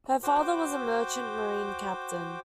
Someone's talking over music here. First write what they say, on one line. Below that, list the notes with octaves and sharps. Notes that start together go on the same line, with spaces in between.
Her father was a merchant marine captain.
F#4 C5 G5 D6